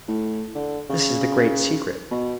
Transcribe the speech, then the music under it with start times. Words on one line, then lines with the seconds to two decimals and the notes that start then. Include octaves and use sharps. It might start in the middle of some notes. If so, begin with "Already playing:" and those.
This is the great secret.
0.08 A2
0.55 D3
0.90 C#3
2.11 B2